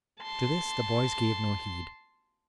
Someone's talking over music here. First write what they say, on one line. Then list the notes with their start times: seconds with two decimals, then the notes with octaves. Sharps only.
To this the boys gave no heed.
0.21 A5 C6